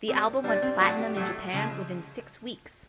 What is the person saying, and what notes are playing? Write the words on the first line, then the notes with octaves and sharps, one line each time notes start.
The album went platinum in Japan within six weeks.
A#2 G3 C4
A#2 G3 D4
C4
A2 F#3 A3 F#4
G4
A2 F#3 A3
C#3 F3 G#3